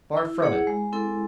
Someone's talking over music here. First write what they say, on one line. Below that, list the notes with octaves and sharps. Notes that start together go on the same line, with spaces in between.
Far from it.
E4
G#4 C#5 F#5
G#3
C4 E4 A4